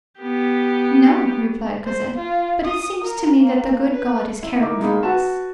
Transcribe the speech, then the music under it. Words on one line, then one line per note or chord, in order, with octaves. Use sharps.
"No," replied Cosette, "but it seems to me that the good God is caring for us."
B3 G4
C5
F4
D#6
A#4
A#3
B4
E4
D#4 E4 A#4 D6
G#3 A#3 D#4 B5
F#4 B4 F#5 A5 E7